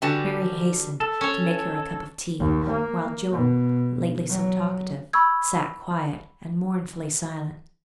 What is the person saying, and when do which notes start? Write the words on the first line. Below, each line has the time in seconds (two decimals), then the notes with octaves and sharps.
Mary hastened to make her a cup of tea; while Job, lately so talkative, sat quiet and mournfully silent.
0.02 D3 G3 F#4 B4 G#5 A5
1.00 A4
1.21 C#4 C#5
2.40 D#2
2.70 A#3
3.32 B2
4.29 F#3
5.13 B5 C#6 E6 G#6